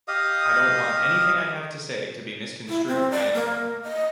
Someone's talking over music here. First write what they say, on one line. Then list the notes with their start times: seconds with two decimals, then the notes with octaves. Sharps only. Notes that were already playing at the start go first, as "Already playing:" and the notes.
I don't want anything I have to say to be misconstrued by anyone.
0.08 G4 D#5 F5 D#6
2.69 E4
2.88 C4
3.11 D5
3.34 A#3
3.83 D#5